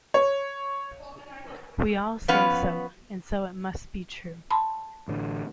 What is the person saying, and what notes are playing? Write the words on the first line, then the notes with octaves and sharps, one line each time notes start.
We all say so, and so it must be true.
C#5
F3 B3 C#4 B4 F5 F#5
A5 B5 C6
A1 A2 D3